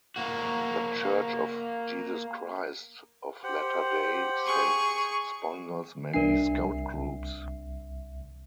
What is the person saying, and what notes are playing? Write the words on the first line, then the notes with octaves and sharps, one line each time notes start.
The Church of Jesus Christ of Latter-day Saints sponsors many Scout groups.
A#3 F#4
G4 C5 F#5
G#4 C#6
C2 D4 A#4 D5 E5 C7